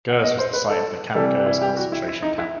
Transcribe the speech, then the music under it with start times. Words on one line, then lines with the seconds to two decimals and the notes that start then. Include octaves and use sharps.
Gurs was the site of the Camp Gurs concentration camp.
0.08 F#5
0.23 D#5
0.38 C5
0.53 B4
0.70 A4
1.15 C3 E3 G3 A4
1.46 E4
1.62 G4
1.77 F#4
1.92 E4
2.08 E4
2.22 D#4
2.38 E4